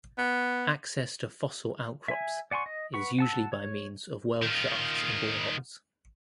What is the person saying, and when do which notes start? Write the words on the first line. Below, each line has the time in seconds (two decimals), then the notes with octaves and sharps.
Access to fossil outcrops is usually by means of well shafts and boreholes.
0.18 B3
2.08 E5 G#5
2.51 D5 F#5 G#5 C6 C#6
2.66 D#5
2.94 B4 F#5 C#6
3.19 F#5 A5 E6
3.52 C#5
4.43 D#3 F4